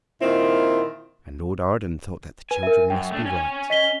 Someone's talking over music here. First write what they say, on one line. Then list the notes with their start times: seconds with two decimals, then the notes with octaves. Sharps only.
And Lord Arden thought that the children must be right.
0.21 A#2 D#3 C4 E4 F4
2.51 B4 G#5
2.63 A#4 E5
2.90 F#2 G5
3.11 A3 D4
3.25 C#4 G#5
3.70 D#5 B6 G7